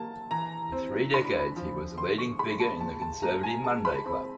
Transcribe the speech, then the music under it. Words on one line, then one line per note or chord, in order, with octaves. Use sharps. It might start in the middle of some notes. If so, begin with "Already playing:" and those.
For three decades, he was a leading figure in the Conservative Monday Club.
Already playing: F#3 A#3 A5
E3 A#5
C4
D4 B5
F3
D3 C6
C#6
G#3 B5
A5
A#2 A5
A5
A#3 A#5
G#5
G#3 A5
B5
C4